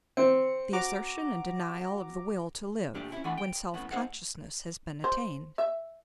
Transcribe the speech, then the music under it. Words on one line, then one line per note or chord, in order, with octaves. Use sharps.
The Assertion And Denial Of The Will To Live, When Self-Consciousness Has Been Attained.
C4 C#7
F#4 A#5 D6
A#2 A3 D4 G4
C#4 E4
E3 A3 D4 F#5 G#5 B5
G5
F#2 A2 B3
A3 D#4 G#4 C5 F5 F#5
C5
E5